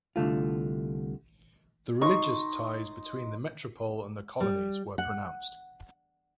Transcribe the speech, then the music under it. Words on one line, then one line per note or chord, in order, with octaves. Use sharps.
The religious ties between the metropole and the colonies were pronounced.
C2 D3 A3 F4
D#4 C6 C#6
G3
F#5